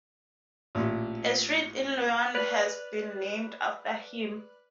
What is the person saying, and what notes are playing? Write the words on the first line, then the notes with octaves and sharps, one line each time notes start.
A street in Lyon has been named after him.
A1 A#2
B4 D5 B5 F6 F#6